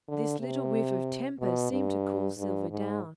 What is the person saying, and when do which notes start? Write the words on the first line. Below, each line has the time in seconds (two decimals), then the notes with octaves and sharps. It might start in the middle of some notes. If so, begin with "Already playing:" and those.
This little whiff of temper seemed to cool Silver down.
0.08 D3
0.40 C3
1.39 B2
1.71 G2
2.38 G2
2.70 G#2